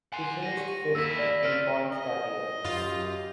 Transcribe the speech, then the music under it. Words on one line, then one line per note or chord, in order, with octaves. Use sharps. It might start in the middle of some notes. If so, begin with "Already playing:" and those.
He finished fifth in points that year.
F#5 G#5 C6
A#6 D#7
G4
D#2 E4 E6 B6
D5
F4 A4 F6 D7 D#7
D#5
F#2 F4 G4